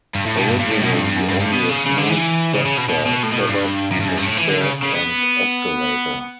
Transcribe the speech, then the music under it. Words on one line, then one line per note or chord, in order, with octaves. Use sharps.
Originally only a small structure covered the stairs and escalator.
G2
A2
B2
G2
G2
A2
B2
G2
G2
F#2
G2
G2
B2
C#3
C#3
D3
E3
C#3
C#3
B2
B2
B2
A2
B2
A2
G2
F#2
G2
F#2
G2
A2
E3
D3
C#3
C#3
B3